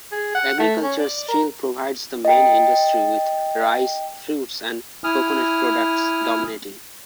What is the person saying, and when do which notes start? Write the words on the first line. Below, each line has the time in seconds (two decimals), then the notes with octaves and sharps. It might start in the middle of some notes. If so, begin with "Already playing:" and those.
Agriculture still provides the main industry with rice, fruits, and coconut products dominating.
0.12 G#4
0.35 F#5
0.59 A3
0.83 C#4
1.00 D5
1.28 A#4
2.25 D#5 G5
5.04 E4 G#5 D#6 F6